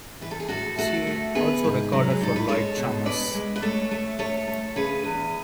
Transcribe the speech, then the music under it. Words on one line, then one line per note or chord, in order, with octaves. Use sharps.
She also recorded for Lloyd Charmers.
E3 B4
A4
G#4
A2 F#4 A4
A3 F#4 A4
A3
B3 G#4 B4
G#2
F#3
G#4
G#2 A4
B4
G#3 A4 C#5
B2
G#3 B4 D5
G#3
B4
A3 A4 C#5
A3
A3 A4 C#5
A3
C#3 G#4 B4
E2